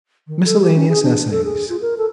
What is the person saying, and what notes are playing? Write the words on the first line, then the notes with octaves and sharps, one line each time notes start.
Miscellaneous Essays.
D#3
A4
G4
C#4
G#4
D4
A4
G#4
F4
A#4
A4